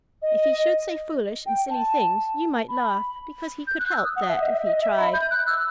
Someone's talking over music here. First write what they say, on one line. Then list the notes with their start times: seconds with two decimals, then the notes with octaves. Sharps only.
If he should say foolish and silly things, you might laugh, because he could help that if he tried.
0.22 D#5
1.46 G5
1.70 A5
2.69 B5
3.67 G6
3.79 F#6
3.91 E6
4.04 D#6
4.16 F#5
4.29 E5
4.41 D#5
4.52 E5
4.65 D#5
4.81 E5
4.98 B5
5.14 G6
5.31 F#6
5.47 E6